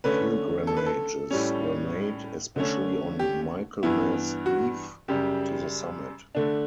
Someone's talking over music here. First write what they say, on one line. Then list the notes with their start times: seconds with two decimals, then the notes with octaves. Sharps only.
Pilgrimages were made, especially on Michaelmas Eve, to the summit.
0.04 D3 A3 C#4 B4
0.67 A4
0.77 B4
0.86 A4
1.31 A2 G3 C#4
2.56 D3 A3 C#4
3.19 G4
3.83 G2 E3 B3 E4
4.46 F#4
5.08 F#2 C#3 G3 G4
6.35 D3 A3 D4